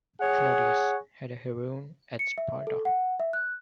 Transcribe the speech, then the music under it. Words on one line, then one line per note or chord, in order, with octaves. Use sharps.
Cleodaeus had a heroon at Sparta.
G#4 C#5 F#5
C#7
E5
A4
F#5
E5
F#6